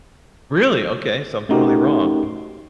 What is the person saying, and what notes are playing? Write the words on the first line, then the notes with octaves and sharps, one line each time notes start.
Really? Okay, so I'm totally wrong.
A3 C#4 D#4 F#4 G4 A#4